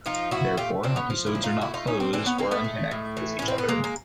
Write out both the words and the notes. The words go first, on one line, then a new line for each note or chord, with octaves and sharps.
Therefore, episodes are not closed, or unconnected with each other.
F3 D#4 F4
A#2 E4 F#4
A3 F4 G4
A#2 C4 D4
B3 C#4
F3
D4 E4
A#2
D#4 F4
A3 E4 F#4
D#4 F4
A#2 C#4 D#4
C4 D4
E3 C4 D4
B3 C#4
A2 A#3 C4
A3 B3
G#3
A2
E3
A2 C#4
C4
B3
G#3 A#3
A#3